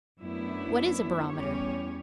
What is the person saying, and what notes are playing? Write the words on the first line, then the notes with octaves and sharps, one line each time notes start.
What is a barometer?
F#2 A3 B3 D4 E4
E2 E3 G3 C#4 G4 C#5